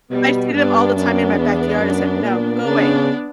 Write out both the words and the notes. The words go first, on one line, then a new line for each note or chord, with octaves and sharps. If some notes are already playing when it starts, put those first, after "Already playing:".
I see them all the time in my backyard. I said, "No, go away.
B2 G3 B3
G2 B3 D4
F#2 B3 D4
E2
F#2
A#2
C#3 B3 D4